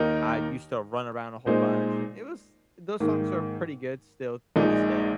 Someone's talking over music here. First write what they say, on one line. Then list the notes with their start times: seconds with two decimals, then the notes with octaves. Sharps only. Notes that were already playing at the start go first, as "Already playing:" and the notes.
I used to run around a whole bunch, and it was those songs are pretty good still to this day,
Already playing: D#2 D#3 A#3 D#4 A#4
1.46 A#2 G#3 D#4 C5
3.00 G#2 D#3 A#3
4.56 A#1 A#2 G#3 D#4